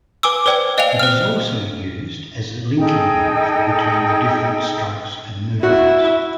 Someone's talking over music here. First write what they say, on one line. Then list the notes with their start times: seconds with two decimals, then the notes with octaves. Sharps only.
It is also used as a linking move between the different strokes and movements.
0.23 B4 G#5 D6 E6
0.46 B4 C5 D5 G5
0.77 C5 D#5 F5 G5 G#5 F7
1.00 C5 F6
2.78 D#4 G#4 A4 G5
5.63 E4 F#4